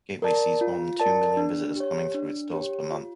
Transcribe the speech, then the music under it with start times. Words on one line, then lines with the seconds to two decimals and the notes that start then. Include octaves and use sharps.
Gateway sees more than two million visitors coming through its doors per month.
0.22 A#4 D5 A5
0.61 F4
1.00 A#4 D5 A5
1.37 D4
1.76 G4 C#5
2.14 D4
2.53 G4 C#5
2.91 F4